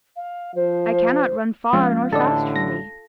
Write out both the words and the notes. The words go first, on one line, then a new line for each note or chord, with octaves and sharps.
I cannot run far or fast from thee.
F5
F3 C5
F3 G#3 C#4 F4
A1 A2 D3 A4 D5 D#5 A5
A#6